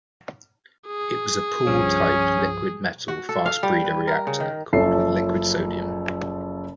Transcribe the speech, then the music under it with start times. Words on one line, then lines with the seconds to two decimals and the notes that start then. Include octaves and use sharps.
It was a pool-type liquid-metal fast breeder reactor cooled with liquid sodium.
0.87 G#4
1.67 C2 G2 F3 C#4
3.08 F#4
3.29 A4
3.46 F5
3.63 G3
3.85 B4
4.07 A#4
4.27 C#3
4.40 D#3
4.73 F#1 F3 C#4 A4 E5 C7